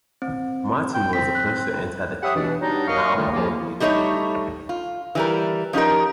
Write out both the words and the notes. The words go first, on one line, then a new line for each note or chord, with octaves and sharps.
Martin was the first to enter the cave, now called Middle Cave.
C4
G5
C4 B6
F#6
G4 C#5 E5 F#5 B5 D#6
B2 E3 D4
F#3 G3 D4 D#4
F#3 A#3 D#5 F5 C#6
A#2 D3 D#3 G3 A3 A#3
E2 C3 F3 A#3
G3 A3 D#4 B4 C#5
F4
E3 G3 A#4
F3 C#4 D#4 G4 A#4